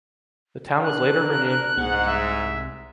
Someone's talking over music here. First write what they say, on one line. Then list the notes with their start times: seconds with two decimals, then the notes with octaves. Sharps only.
The town was later renamed Beeton.
0.83 D4 F#6
1.20 A#4
1.77 C2 G#2 F#5
2.08 E5